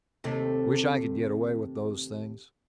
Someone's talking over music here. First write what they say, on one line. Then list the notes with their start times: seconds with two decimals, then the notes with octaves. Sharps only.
Wish I could get away with those things.
0.24 D#2 C3 A3